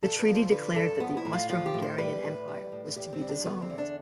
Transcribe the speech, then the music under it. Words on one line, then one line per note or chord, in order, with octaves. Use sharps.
The treaty declared that the Austro-Hungarian Empire was to be dissolved.
G2 A4
B4
F3
C5
D3 B4
G2 A4
F3 B3
E4
A2
F4
F3 F4
G4
A2
C5
G3 B4
A2
G3
A2
E2 G4
C4
G3
D4
D3 B3
C4
E2
D4